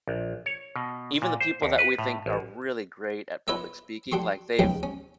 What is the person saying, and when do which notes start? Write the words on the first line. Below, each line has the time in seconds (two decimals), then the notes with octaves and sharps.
even the people that we think are really great at public speaking, like they've
0.08 A#1
0.46 C#5
0.76 B2
1.22 A#2
1.40 C5
1.62 D#2
1.79 B4
1.98 A2
2.26 A1
3.48 E4 F4 B4 C#5 D#5 E5
4.12 D4 F#4 G4 C6 C#6
4.59 A#1 D#2 B2 F#3 C#4 G5
4.83 C#4